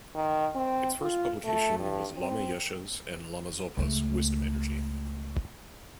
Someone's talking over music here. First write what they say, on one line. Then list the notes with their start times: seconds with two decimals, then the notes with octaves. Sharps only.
Its first publication was Lama Yeshe's and Lama Zopa's Wisdom Energy.
0.15 D#3
0.55 C4
1.01 F4
1.44 A3
1.79 G2
2.17 C4
3.77 C#2 A3